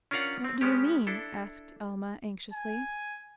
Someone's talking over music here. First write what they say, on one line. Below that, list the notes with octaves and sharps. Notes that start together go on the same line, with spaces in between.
"What do you mean?" asked Alma anxiously.
C#4 D4 F4 A#4 F5 F#5
C4
G#3 B3 C#4 G4
D4 E4 A4
G#5